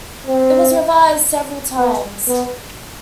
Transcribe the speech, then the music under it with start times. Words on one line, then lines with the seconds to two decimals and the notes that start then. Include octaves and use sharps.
It was revised several times.
0.27 C4
1.78 B3
2.28 B3